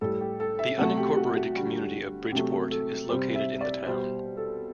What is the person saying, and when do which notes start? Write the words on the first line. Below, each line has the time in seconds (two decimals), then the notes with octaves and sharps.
The unincorporated community of Bridgeport is located in the town.
0.01 A2 G3 A4
0.21 G4
0.40 A4
0.59 E5
0.78 C3 F#3 A3 F#5
0.97 G4
1.17 F#4
1.36 F#4
1.55 D3 G3
2.32 C3 F#3 A3 G4
2.71 A4
3.09 C3 G3 C5
3.35 E5
3.61 D5
3.86 B2 G3 C5
4.37 A4